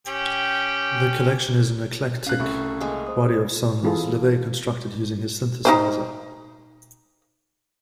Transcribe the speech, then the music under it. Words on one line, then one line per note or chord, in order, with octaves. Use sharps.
The collection is an eclectic body of songs LaVey constructed using his synthesizer.
C#4 G4 G5
C#4 F5 F#6
C2 A3 C#6
G#3 A#3
C5 D#6
E3 C4 E4 F4 G#4 A4
D#4 G4 C5